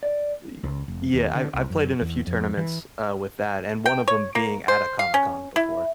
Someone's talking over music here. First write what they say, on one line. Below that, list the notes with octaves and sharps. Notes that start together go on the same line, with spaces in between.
Y yeah, I've I've played in a few tournaments, uh, with that, and one of 'em being at a Comic Con before.
D5
C#2
F1
D#2
D3
C2
F#2
E2
F2
E3
G5
C#5
A#3
C5
F5
C#4
E4